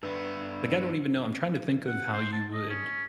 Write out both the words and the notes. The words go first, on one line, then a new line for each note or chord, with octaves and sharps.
Like, I don't even know. I'm trying to think of how you would
G2 B3 B4 E5
F#5
C5
A5
D#5
C#4